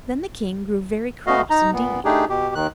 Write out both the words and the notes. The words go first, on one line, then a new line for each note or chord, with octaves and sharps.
Then the king grew very cross indeed.
A3 B3 F#4 D#5 F5
D#4 A#5
A#2 B3
A3 D4 D#4 G4 G#4
B2 G4
D#2 D#3 F#6